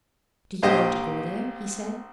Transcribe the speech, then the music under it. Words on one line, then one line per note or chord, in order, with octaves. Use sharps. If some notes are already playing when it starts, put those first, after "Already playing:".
"Do you want to go there?" he said.
A#1 A#3 G4 C5 D#5